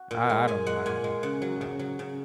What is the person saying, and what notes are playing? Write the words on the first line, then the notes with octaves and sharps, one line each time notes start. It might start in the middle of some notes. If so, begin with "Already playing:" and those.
I I don't know, I don't know, I don't know.
Already playing: F#4
A#2
G#3
A#2 G#5
G#3 F#5
A#2 G#5
G#3
C#3 F#5
F#3
C#3
F#3
C#3